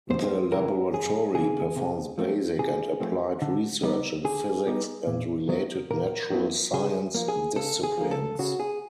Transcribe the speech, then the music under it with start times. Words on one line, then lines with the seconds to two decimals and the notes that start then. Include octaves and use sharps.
The laboratory performs basic and applied research in physics and related natural science disciplines.
0.10 F#2 C5
0.52 C#3 E3 A#4
0.93 F#2 G#4
1.34 C#3 E3 G#4
1.76 C3
2.18 F3 A3 C4
2.59 C3 G#4
3.00 F3 A3 C4
3.42 D3
3.83 G3 B3 D#4
4.25 D3 G#4
4.67 G3 B3 D#4
5.07 A#2
5.49 F#3 B3 E4
5.91 A#2 A#4
6.32 F#3 B3 E4
6.73 C#3 G#4
7.15 F3 A#3
7.28 G#4
7.56 C#3 A4
7.83 G#4
7.97 F3 A#3
8.11 A4
8.39 C#3 F#4
8.60 G#4